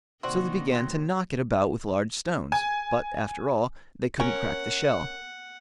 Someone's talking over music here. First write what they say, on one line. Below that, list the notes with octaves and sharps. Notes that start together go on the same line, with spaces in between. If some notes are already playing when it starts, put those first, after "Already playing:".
So they began to knock it about with large stones, but, after all, they couldn't crack the shell.
C3 D#3 A#3 C4 F#4 D5 C6
F#3 G5 C6 A#6
G#5
C#4 A#4 F#5